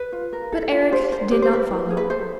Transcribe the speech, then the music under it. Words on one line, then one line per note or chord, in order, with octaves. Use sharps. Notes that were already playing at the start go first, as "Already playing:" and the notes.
But Eric did not follow.
Already playing: B4
F4
A#4
A4
F4
G4 C5
A#4 C5
G4 B4
C5
A#4 B4
E4
G#4
B4
A4 C5